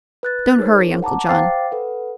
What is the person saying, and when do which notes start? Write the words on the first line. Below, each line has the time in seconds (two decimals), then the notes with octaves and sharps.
Don't hurry, Uncle John.
0.23 B4 F#6 A6
0.58 D#4 G#4 A#4 C5 C#5
1.02 F#5 A5 A#5 D6
1.29 C5 F5 G5 D6 A6 C7
1.71 A4 B4 F#5